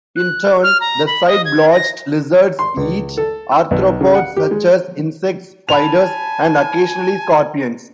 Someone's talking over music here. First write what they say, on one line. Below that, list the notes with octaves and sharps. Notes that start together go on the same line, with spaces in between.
In turn, the side-blotched lizards eat arthropods, such as insects, spiders, and occasionally scorpions.
F#6
F6
A#5
B5
D#5
G#6
A#6
C6
C#2
A4
E6
B1
C#3
F#5
G4
G#3
G#5 A5 B5 F7